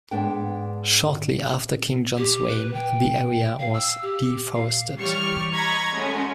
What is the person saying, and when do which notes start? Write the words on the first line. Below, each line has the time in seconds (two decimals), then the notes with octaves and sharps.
Shortly after King John's reign, the area was deforested.
0.11 G#2 B3 D4 G5
2.17 G4
2.48 B4
2.73 G5
3.59 F5
3.73 E6
4.02 G4
4.54 F5
4.98 E3 G3 C#5 C#6 F6 C#7
5.54 D#5 A#5 B5 C#6 G#6 A#6
5.92 F#2 G#3 A3 C#4